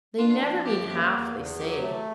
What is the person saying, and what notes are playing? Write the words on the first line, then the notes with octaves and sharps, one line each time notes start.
They never mean half they say.
D4 F4
F3
F#2 G4
A#3
E2
E2
F#3 G4
A3